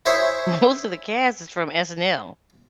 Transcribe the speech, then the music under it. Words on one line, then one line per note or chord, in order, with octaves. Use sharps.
most of the cast is from SNL.
E4 G#4 C5 C#5 E5